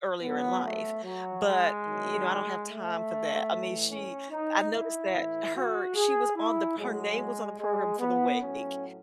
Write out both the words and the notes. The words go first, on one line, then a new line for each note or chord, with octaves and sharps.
earlier in life, but, you know, I don't have time for that. I mean, she I've noticed that her she was on the her name was on the program for the wake,
G#2 F#3 B3
A3
F#3
G#3
E2 D#3 F#3
A3
A2 E3
C#4
D#4
E4
A2 E3
F#4
G#4
E4
A2 F#3 G#3
G#3
B3
A2 F#3 C#4